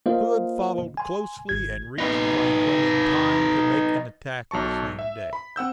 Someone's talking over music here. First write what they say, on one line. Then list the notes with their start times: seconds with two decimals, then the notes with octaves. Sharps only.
Hood followed closely and reached Franklin in time to make an attack the same day.
0.06 A#3 F4 A#4 C5 D#5 F5
0.97 G#5 C6
1.49 G#1 G#6
1.98 D#4 B4
4.51 B1 F#3 A5 C#6
4.99 E5
5.33 B5
5.56 C4 F#5 E6 G6